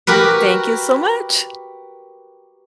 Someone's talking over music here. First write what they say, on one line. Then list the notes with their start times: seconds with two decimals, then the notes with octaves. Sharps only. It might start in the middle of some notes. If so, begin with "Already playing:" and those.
Thank you so much.
0.07 F#4 G4 A#4 B4